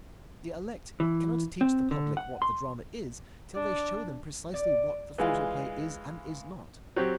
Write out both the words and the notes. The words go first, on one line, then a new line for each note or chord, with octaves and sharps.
The elect cannot teach the public what the drama is till they show them precisely what the photoplay is and is not.
E3
C4
D3
F#5
C6
D4 D5
D5
E3 G#3 F4
F#3 C4 G4